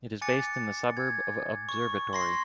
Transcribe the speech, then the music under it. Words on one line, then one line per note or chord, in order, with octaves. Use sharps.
It is based in the suburb of Observatory.
G#5 D6 F#6 A6 C#7
G#6
C#6
C6 A#6 C7